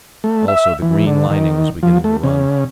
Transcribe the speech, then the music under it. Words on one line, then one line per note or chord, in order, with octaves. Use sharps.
Also the green lining was beginning to run.
A3
E5
E3
D3
D#3
F3
A3
C#3